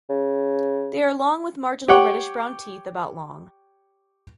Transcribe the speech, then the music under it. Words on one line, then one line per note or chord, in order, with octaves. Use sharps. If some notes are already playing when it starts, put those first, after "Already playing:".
They are long with marginal reddish brown teeth about long.
C#3
G4 C#5 F#5 G5 C#6